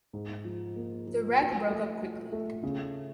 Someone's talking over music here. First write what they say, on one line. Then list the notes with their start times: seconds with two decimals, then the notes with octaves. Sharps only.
The wreck broke up quickly.
0.13 G#2
0.45 F3
0.76 A#3
1.07 F3
1.38 F#4
1.70 A3
2.00 F#4
2.32 A3
2.63 C#3